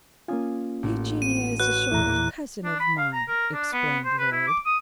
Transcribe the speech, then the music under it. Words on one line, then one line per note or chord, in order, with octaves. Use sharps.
"Eugenia is a sort of cousin of mine," explained Lloyd.
A#3 C#4 F4 G#5 D#6
A1
D#7
F#4 B4 C#5 F#6
E2 A#2 E4 A#5
A#3
D4
B5
F5
A#5
A#4
D4
B3
C5
B4
E4
D6
D#6